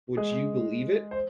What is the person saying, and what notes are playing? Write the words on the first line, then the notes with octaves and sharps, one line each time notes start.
Would you believe it?
G#3 G#4
C5